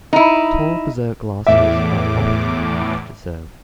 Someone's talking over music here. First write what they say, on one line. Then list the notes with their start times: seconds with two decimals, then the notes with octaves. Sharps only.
Tall dessert glasses are often used to serve.
0.13 D#4 E4
1.47 E2 A2 E5 D6